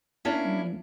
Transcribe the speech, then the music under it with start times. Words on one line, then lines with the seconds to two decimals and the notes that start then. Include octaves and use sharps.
I mean,
0.25 A#3 C#4 D4 E4